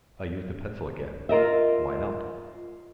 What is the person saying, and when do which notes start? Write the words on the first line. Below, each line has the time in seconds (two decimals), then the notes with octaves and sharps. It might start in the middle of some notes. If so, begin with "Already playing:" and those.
I used the pencil again: "Why not?"
1.29 F4 A#4 D#5 E5